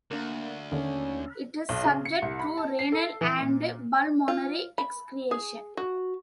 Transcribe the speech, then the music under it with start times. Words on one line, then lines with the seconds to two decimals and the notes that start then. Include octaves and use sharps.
It is subject to renal and pulmonary excretion.
0.11 D2 A#3 D4
0.72 D#2 D3 C#4
1.69 B1
1.85 C#3
2.05 C#7
2.22 C2
2.39 B5
2.57 A5
2.79 C7
2.92 A4
3.21 E3
3.40 A#2
4.28 F4
4.78 B5
5.31 G#4
5.77 F#4